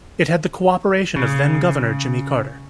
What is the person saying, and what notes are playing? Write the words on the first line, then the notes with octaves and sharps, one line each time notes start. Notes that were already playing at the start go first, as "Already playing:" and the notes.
It had the cooperation of then-Governor Jimmy Carter.
C#3